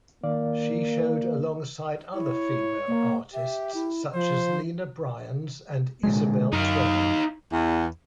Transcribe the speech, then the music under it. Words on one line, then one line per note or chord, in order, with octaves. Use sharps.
She showed alongside other female artists such as Lina Bryans and Isabel Tweddle.
D#3 A#3 D5 F5
E4 C#5
A#3
G4 E5
E4
F3 C5
A#2 D3 G#3
F#2 D#4 F5
E2